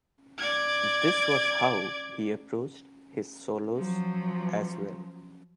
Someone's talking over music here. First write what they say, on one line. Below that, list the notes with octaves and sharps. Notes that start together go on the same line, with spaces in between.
This was how he approached his solos as well.
D5 G#6
F3 F#3